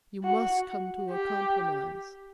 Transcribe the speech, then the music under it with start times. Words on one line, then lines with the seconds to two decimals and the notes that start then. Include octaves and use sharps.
You must come to a compromise.
0.23 F#4
1.10 G4